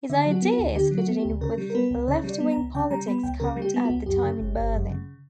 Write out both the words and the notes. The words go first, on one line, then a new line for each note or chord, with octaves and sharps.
His ideas fitted in with left-wing politics current at the time in Berlin.
D3 E5
F#3
F#4
B3
F#4
D2
D3 G4
F#3
F#4
B3
G4
D2
C#3 A#4
G3
A#4
B3 B4
C#2
C#3 C#5
G3
D5
B3
A#5
C#2
C#3 G5
G3 A#5
B3 B5
C#2 G5
C#3 A#4
G3
G4
B3
F#4
C#2
F#2 G4
C#3
G1
G1
F#2
C#3